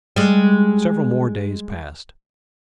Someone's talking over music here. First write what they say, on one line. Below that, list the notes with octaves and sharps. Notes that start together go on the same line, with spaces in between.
Several more days passed.
G3 G#3